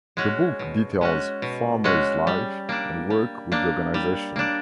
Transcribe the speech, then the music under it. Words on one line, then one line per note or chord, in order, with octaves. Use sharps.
The book details Farmer's life and work with the organization.
G#3 C#4 F#4
B2
G#3 C#4 F#4
B2
G#3 C#4 F#4
G3
A#3 D4
G3
A#3 D4
G3
A#3 D4